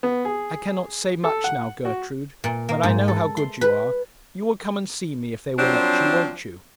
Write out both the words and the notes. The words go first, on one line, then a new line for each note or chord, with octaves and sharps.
'I cannot say much now, Gertrude, but I know how good you are; you will come and see me, if they will let you, won't you?'
B3
G#4
A4
F#5
F#4
A#2
A#3
G#2
A4
C6
B4
F3 F#3 C4 D4